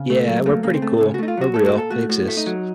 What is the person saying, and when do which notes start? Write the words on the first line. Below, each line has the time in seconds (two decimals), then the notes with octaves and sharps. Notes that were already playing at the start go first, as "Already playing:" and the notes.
Yeah, we're pretty cool, we're real, we exist,
Already playing: C#3 C4
0.10 A3
0.28 F#3
0.46 A3 A#3
0.63 C#3 A#3
0.74 C4
0.82 A3
1.01 C#3
1.14 F#4
1.19 A3 D#4
1.28 F4
1.37 F#3 F#4
1.54 A3 A4
1.66 F#4
1.73 A#2 A4
1.90 A3 F#4
2.09 A2 F#4
2.28 A3
2.37 D#4
2.46 F#3